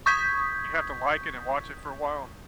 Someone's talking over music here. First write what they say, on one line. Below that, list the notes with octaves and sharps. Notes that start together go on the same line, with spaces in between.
You have to like it and watch it for a while?
C#6 D#6 G6 G#6 B6